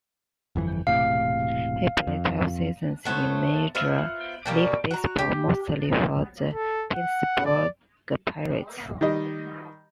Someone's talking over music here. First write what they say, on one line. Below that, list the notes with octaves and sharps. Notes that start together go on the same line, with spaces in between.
He played twelve seasons in Major League Baseball, mostly for the Pittsburgh Pirates.
G1 F2 E3
E1 A2 C3 F5
F2
A3 B3 C5 C#5
B3 F4 C5 E5
B2 G3 A#3
F#4 A#5
G4
A4
F#5
D5
D#3 G3 D#5